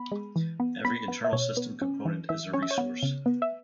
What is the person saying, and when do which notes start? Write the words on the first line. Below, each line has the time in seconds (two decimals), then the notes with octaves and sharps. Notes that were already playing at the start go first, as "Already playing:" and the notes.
Every internal system component is a resource.
Already playing: B3 B5
0.12 G#3
0.36 E3
0.60 B3
0.85 B3 B5
1.08 B3
1.24 E5
1.33 B2 C#5
1.57 B3
1.82 C#4
2.05 E3
2.29 E3 E5
2.53 C#4 C#5
2.62 E5
2.71 C#5
2.78 B3
3.03 C#3
3.26 B3
3.42 E5